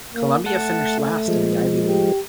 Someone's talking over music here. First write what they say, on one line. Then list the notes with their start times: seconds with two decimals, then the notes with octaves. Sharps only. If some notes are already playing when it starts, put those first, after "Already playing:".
Columbia finished last in the Ivy League.
0.14 A#3
0.46 A3 F#5 A5
1.28 F3 G#3
1.87 G4